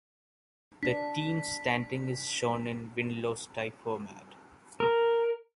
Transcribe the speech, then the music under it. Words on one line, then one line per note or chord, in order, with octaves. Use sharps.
The team's standing is shown in win-loss-tie format.
D4 B6
A#4